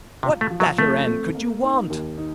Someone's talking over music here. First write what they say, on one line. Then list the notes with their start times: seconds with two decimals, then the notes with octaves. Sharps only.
What better end could you want?
0.23 C3 F4
0.41 A3
0.50 F3
0.60 F#3
0.78 A3 C4
1.07 A4
1.35 A#3
1.63 D#4
1.90 D#2
2.18 D#4